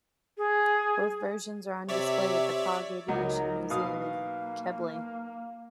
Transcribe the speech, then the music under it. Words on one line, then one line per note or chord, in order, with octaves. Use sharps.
Both versions are on display at the Prague Aviation museum in Kbely.
G#4
C3 C#5 D5 E5
C#2 F#3 D#4 A#4
B2 A#3 F5 D#6